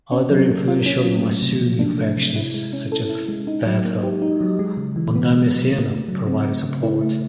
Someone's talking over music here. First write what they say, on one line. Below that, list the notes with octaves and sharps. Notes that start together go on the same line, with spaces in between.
Other influential Masyumi factions, such as that of Wondoamiseno, provided support.
C#4
F#3
A#3
F4
C#4
F#3
A3
C3
F3
D4
A3
C3
E4
G#3
C#4
A4
E4
G#3
D#4
F#3
A#3
G4
D#4
F#3
G#3
C#3
E3
B3
G#3
C#3
A3
C#3
F#3
C4
A3
C#3
E4
A3